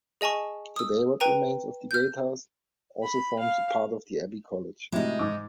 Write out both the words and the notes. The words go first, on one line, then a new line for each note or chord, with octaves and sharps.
Today what remains of the gatehouse also forms a part of the Abbey College.
G#4 D#5 G#5 A5 C#6
D#6 E6
B4 G5 A#5 D#7
F6 G6
B5
F5
A2 C3 G#3 D#4 F#4
G#2 D6